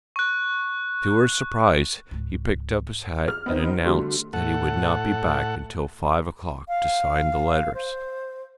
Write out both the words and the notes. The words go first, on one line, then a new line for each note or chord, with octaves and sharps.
To her surprise he picked up his hat and announced that he would not be back until five o'clock to sign the letters.
C#6 F#6
C#2 G#2
G#4 F6
B3 C4 D#4
D3 G3 A3 F#4
A2 A4 F#5
F5
C5